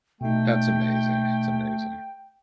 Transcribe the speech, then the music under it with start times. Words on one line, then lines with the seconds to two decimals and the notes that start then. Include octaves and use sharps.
That's amazing, that's amazing.
0.21 B2 A3 D#4 G5